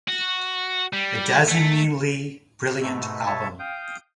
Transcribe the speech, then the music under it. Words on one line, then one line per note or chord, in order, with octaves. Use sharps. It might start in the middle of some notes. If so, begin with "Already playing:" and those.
A dazzlingly brilliant album.
F#4
G3
A3
G#2 B2 A3
B2 C#5 E5 A5 A6
F5 G5 D#6 G6